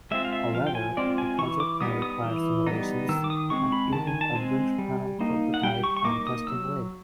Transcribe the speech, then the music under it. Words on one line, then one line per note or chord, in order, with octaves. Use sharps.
However, the project may require simulations, and even a wind-tunnel prototype and testing rig.
G#3 C4 F4 E5
F5
E5
F3 F5
G5
G#5
G#3 C4 F4 D5
G#5
E3 C#6
D6
G3 B3 D#4 D#6
D#6
E3
G3 B3 D#4
D#3 E6
D6
D#6
G#3 C4 C#6
B5
D#3 A5
G#5
A5
G#3 C4 G#5
G3
A#3 D#4
F#5
G3 G5
C#6
C#6
A#3 D#4 D6
D#6
F#3 E6